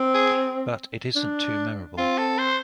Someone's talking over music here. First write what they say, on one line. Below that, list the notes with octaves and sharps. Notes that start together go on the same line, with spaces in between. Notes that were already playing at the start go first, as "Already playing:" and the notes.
But it isn't too memorable.
Already playing: C4
G#4
D4
C4 F4
A4
C5